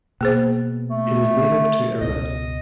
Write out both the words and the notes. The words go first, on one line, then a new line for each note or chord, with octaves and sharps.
It is native to Iran.
B2 A#3 B3 G#4 C5
A3
C#2 B2 D#5